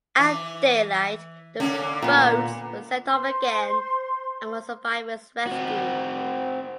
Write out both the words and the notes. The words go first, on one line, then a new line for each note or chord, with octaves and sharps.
At daylight the boats were sent off again and more survivors rescued.
E3
D3 A#3 C#4
A#2 B3
C5 C6
C4 F#4